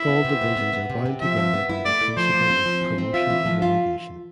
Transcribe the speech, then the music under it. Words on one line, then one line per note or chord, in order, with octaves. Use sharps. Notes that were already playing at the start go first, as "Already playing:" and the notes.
All divisions are bound together by the principle of promotion and relegation.
Already playing: E4 E5
B3
C3
B3
B3
B3
C3
C3
F3 E5
F3
B3
E4
A3 D5
A3
F3 C5
F3
C4
F3
E3
C4
F4 E5
E3
F3
F4